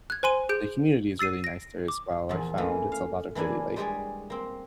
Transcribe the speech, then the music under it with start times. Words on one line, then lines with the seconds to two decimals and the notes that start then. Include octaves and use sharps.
the community is really nice there as well. I've found it's a lot of really, like,
0.10 F#6 G#6
0.23 C5 G#5 C6 D#7
0.49 G#4 G6 D7
1.19 E6 A6 C7 D#7
1.44 A#6 D7
1.88 D6
2.29 E2 A#2 F3
2.58 E3 A3 A#3 C#4
2.92 F5
3.35 E3 A#3 D4 E4 G#5
3.76 G3 G#3 G4 G#4 C#5 D5
4.30 A#3 C4